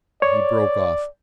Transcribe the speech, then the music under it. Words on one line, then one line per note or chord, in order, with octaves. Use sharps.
He broke off.
C#5 D5